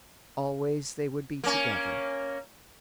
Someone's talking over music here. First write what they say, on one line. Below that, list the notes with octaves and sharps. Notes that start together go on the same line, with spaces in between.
Always they would be together.
A#3 C#4